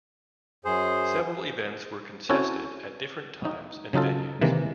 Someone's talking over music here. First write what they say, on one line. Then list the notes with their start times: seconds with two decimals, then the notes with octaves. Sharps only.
Several events were contested at different times and venues.
0.65 F#2 G#4 C5
2.29 C4 C#4 E4 F#4 A4 C#5
3.45 D#4
3.93 C#3 F#3 D#4 F4 A4
4.41 C3 D#3 E3 G#3 A#3